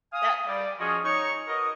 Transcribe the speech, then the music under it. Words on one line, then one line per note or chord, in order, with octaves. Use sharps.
That, uh,
F5 G#5 D#6
G3 D5
F3 C#4 F#4 G#4 C#5 D#5
D#4 C#5 C#6
F#4 A#4 B4 D#5